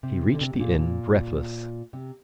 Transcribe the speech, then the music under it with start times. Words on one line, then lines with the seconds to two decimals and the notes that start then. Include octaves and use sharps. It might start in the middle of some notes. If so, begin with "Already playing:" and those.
He reached the inn, breathless.
0.03 C3
0.34 D3
0.41 C3
0.54 A2
0.60 A#2
0.79 A#2
1.93 C3